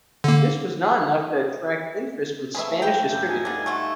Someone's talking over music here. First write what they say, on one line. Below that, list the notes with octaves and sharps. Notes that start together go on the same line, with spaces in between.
This was not enough to attract interest from Spanish distributors.
D3 A#3
F3 A3 G#4 B4 E5
E3 E4 G5
G2 A4 B5 G6
D#4 G#5
B2 D4
A3 F4 F#4